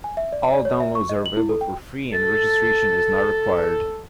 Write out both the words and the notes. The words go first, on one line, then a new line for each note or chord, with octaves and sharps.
All downloads are available for free and registration is not required.
G#5
E5
D5
D5
C#5
E5
C#6
D#5
F#7
E4
A4
G5
A4 A6